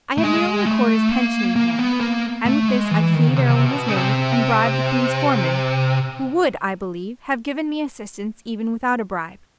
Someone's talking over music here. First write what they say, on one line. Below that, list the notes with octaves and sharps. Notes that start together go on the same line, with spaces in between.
I had nearly a quarter's pension in hand, and with this I fee'd Arowhena's maid, and bribed the Queen's foreman--who would, I believe, have given me assistance even without a bribe.
A3
G#3
A3
A#3
A#3
B3
A#3
A3
G#3
E3
D#3
C#3
C3
B2
C#3
C3